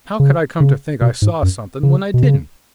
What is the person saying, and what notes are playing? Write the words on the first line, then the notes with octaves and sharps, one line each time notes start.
How could I come to think I saw something when I didn't?'
C#3
C#3
B2
G#2
F#2
C#3
B2
C#3